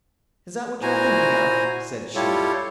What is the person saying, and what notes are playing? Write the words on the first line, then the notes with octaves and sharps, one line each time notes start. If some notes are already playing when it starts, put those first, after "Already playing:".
Is that what you're thinking of?' said she.
A#2 E4 F#4 C5 G#5 A#5
G3 E4 F4 G4 A4 C#5